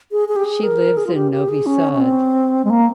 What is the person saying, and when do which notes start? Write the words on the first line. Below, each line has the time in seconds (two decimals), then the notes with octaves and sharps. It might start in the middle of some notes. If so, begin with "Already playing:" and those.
She lives in Novi Sad.
0.11 G#4
0.28 G#4
0.36 G4
0.44 G#4
0.63 A#4
0.97 G#4
1.07 F4
1.14 G4
1.32 G4
1.49 G#4
1.66 C#4
1.92 C#4
2.00 C4
2.65 G#3
2.70 A#3